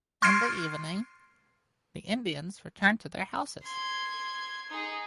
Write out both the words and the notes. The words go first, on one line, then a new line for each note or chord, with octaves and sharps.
In the evening, the Indians return to their houses.
C6 F6 G#6 A6 C7 D7
C6 G#6
D#4 G#4